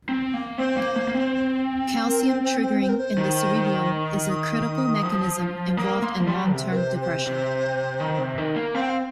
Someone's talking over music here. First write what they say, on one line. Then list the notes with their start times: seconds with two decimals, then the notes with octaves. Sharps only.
Calcium triggering in the cerebellum is a critical mechanism involved in long-term depression.
0.09 C4
0.34 A#3
0.58 C4 C5
0.77 A#3
0.96 A#3
1.08 A#3
1.14 C4
2.07 A#4
2.25 C5
2.43 C5
2.63 C5
2.81 C5
2.89 A#4
2.98 C5
3.18 D#3
3.55 D#3
4.30 D#6
5.03 F3
5.77 A#3 D#6
6.02 A#3 C6
6.20 F3
6.27 G3 C6
6.52 C3
6.71 A#4
6.77 C5
7.02 C5
7.27 C3
8.00 D#3
8.19 C3
8.38 D#3
8.56 A#3
8.75 C4 F5
8.82 G5
8.89 F5